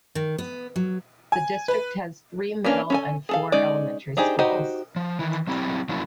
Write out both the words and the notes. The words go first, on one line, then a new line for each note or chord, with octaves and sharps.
The district has three middle and four elementary schools.
D#3
B3
F#3
G#5
B4
E3 A#3 C#4 D4
C#4 A4 G#5
G#4 A4 F5
G#3 C#4 D#4 D5
D4 D#4 G4 G#4 C5
D#4 F#4 G4 C5 D#5
F3
D#3 E3
F#3 C4 E4 G4
F3 F#3 A#3 C#4 E4